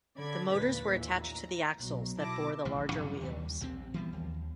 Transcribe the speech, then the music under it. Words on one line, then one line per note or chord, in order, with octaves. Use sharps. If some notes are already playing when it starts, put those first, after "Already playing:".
The motors were attached to the axles that bore the larger wheels.
D3 D5 B5 G#6
A#1 D#2 A#2 B4 A6 B6
A1 D#2 A#2 E3
A#5
B1 B2 F#3
B2 E4 A5 D6 A#6
A1 C#3 F3
G2 C3 F#3 G3
D#2 E3 G3
A#1 C3 D#3 C4
E3 G3 B3
D#2